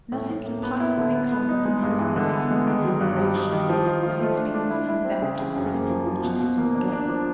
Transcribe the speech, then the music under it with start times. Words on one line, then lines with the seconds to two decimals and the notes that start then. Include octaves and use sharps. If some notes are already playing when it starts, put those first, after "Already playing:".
Nothing can possibly come of the prisoner's conglomeration but his being sent back to prison, which is soon done.
0.12 A2
0.30 A2
0.46 A#3
0.63 B3
0.80 E4
0.98 D3
1.15 B3
1.32 B3
1.49 D#4
1.65 G#3
1.83 G2
1.99 E3
2.16 D3
2.33 B3
2.51 G#3
2.67 D#3
2.85 F#3
3.01 G2
3.18 G3
3.35 D#3
3.52 D#3
3.69 F3
3.86 F4
4.03 F4
4.20 A3
4.37 D4
4.55 D4
4.70 E4
4.88 E4
5.05 C4
5.22 C#3
5.39 E3
5.56 F#2
5.73 A#3
5.90 F3
6.06 F3
6.23 B2
6.41 B2
6.58 A#3
6.75 D4
6.92 D4
7.08 F3